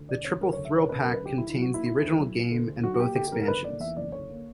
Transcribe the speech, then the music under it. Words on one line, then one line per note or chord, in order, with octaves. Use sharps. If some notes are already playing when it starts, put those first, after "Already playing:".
The "Triple Thrill Pack" contains the original game and both expansions.
Already playing: D2
E1 D5
C#3 C#5
F#3 A#4
C#5
D2
E5
E1 C#5
C#3 B4
A#4
F#3
B4
D2 G4
D2 E4
E4
F#3
F#4
A#3 E4
D3 E4
D2
F#3
A#3
D3
D2
F#3 F#4
F#4
A#3 G4
D3 G4
G4
F#1 A#4
A#4
D3 B4
A#3 D5
E2 E5
F#1 D5
D3 C#5
A#3